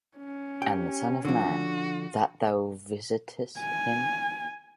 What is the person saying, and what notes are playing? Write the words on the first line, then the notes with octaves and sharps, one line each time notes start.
And the son of man, that thou visitest him?
C#4
G4 G5
D3 F3 D4 F#4
G#5